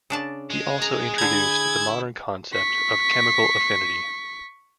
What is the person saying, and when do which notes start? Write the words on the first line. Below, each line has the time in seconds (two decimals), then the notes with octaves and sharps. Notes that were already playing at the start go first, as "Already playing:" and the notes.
He also introduced the modern concept of chemical affinity.
0.10 C#3 D4 A5
0.50 G#3
0.82 G#4 A#5
1.18 D3 E4 A#5 G#6
2.53 C#6 B6